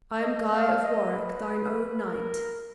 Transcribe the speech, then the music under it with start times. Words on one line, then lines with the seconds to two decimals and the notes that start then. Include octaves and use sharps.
I am Guy of Warwick, thine own knight.
0.20 D#5
0.52 F5
0.82 D#5
1.13 B4
2.05 A#4